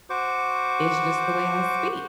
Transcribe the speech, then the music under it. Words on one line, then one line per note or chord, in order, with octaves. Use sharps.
"It's just the way I speak,"
F#4 C5 C#6 D6